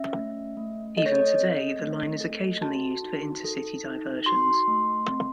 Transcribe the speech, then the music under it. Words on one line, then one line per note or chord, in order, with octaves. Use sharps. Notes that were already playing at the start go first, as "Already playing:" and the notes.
Even today, the line is occasionally used for inter-city diversions.
Already playing: C#4 E5
A3
A3
A4 D#5
C#5
D#5
C4
A3
A4
F#4 A5
D#4
A4
D#4
F#4 C6
A3
C4